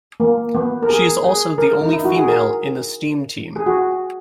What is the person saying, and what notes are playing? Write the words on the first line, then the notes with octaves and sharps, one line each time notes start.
She is also the only female in the Steam Team.
A#3
B3
A#4
G#4
G#4
A#4
D#4
E4
F#4
G#4
A#4
G#4
F#4